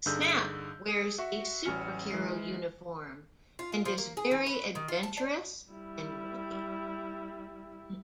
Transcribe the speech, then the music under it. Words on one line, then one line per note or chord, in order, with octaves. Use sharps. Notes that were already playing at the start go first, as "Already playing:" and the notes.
Snap wears a superhero uniform and is very adventurous and witty.
G2 D3 D#4 G#4 E6 G6
G#4
F#4 E5 C#6
A1 G3 C#4 G#5 F6 C#7
E3 G#3 C7
F4
F4
F3
A#3
G#4
E3
B4
D#3
F4
A5
D5
G3 E4